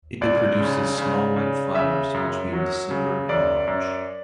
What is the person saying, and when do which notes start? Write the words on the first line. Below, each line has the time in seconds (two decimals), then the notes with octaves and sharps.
It produces small white flowers between December and March.
0.21 C#2 D5
0.60 C#3
0.98 C#3
1.36 C#3
1.75 C#3 E5
2.14 F#2
2.53 F#3
2.91 C#3
3.29 F#2 D5
3.67 F#2